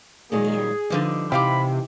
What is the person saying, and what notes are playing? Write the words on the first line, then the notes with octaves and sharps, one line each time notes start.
Mm, yeah.
A#2 D#3 F#3 G#4
D3 F3 G3 D#4 B4 D#5
C3 E3 D#4 G4 F5 G5 B5